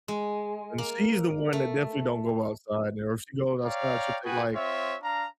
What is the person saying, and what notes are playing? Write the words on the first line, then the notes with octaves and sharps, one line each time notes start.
and she's the one that definitely don't go outside, and if she goes outside she'll take, like
G#3
A#3
A3
C#5 D5 F5 G5 A#5
F#4 G#4 B4 G5 G#5
C4 F4 C#5 E5
D4 F5 A#5